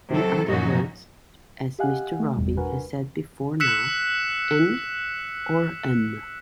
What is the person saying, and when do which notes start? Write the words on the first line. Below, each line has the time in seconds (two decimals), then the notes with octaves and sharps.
In other words, as Mr Robey has said before now, N or M?
0.11 C3 F#3 A4
0.46 F#2 A#2 F3 C#4 D#4 F#4
1.79 G4 D#5 F5 F#5 G#5 F#6
2.20 A3
2.36 G1 E2 G#2 B2 G3
2.57 D4 F#4 A#4 B4 F#5 G#5
3.60 E6 F#6 B6 C#7 E7